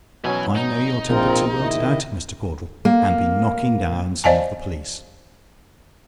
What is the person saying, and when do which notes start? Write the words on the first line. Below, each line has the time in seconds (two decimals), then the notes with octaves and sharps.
I know your temper too well to doubt it, Mr. Caudle--and be knocking down some of the police.
0.24 B2 E3 F#3 C#4 G#5
0.56 D#4
1.09 A#1 C4 F4 A#4
1.61 D#3 E4 D#5
2.85 A#3
4.24 C5 D5 D#5 F5 G#5 A5